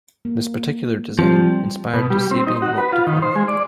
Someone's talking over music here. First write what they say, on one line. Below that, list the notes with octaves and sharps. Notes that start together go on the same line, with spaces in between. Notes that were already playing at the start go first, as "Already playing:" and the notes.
This particular design inspired the Sabian Rocktagon.
A#3
F3 G3 C4
B2
G3
C4
D#4
F#4
B4
F4
D#3
C5
G#3
D5